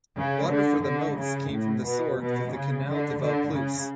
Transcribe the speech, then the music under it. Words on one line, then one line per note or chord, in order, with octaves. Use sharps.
Water for the moats came from the Sorgue through the Canal de Vaucluse.
C#3
D3
D3
C#3
A2
B2
B2
C#3
D3
D3
C#3